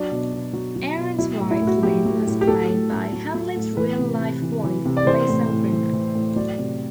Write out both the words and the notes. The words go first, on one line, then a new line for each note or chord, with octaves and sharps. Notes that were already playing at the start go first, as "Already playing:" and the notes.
Aaron's wife, Lynn, was played by Hamlin's real-life wife, Lisa Rinna.
Already playing: F#3 D4
B2
B2
F#3
F#3
B2
F#3 E4
A2
E4
A2
F#4
F#3 G4
F#3
A2
G4
F#3 A4
A2
A2
F#3
F#3
A2
E3 B4
C3
C3
E3
E3
C3
D5
E3 C5
A2
A2
E3
E3
A2
F#3 D5
C3